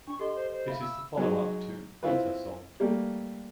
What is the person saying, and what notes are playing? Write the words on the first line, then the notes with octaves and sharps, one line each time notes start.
It is the follow-up to "Ether Song".
D4 C#6
G4 A4 D#5 C6
C5
C5
E5 F5 B5
E6
F#3 G#3 D#4
C4 E4 F4 B4
G3 A3 A#3